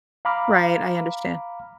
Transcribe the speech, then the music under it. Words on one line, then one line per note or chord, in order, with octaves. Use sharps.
Right. I understand.
F5 A#5 B5 D6 F6